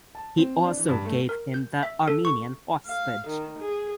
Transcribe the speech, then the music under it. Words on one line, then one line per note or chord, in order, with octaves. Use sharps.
He also gave him the Armenian hostage.
A5
C4
D4
E3
G2
A3
A#4
G6
E5
A4
C#6
F5
D#3
G#4